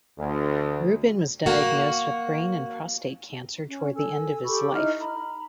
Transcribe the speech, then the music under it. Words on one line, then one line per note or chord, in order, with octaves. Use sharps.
Rubin was diagnosed with brain and prostate cancer toward the end of his life.
D2
A#3 F#4
C#4
A4 G#5 E6
G4 A4 B5 C#6
D#4 E4 D#5 F6
A#5 B5